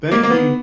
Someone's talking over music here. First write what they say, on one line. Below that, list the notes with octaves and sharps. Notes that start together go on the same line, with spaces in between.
Thank you.
A#3
A#3
B3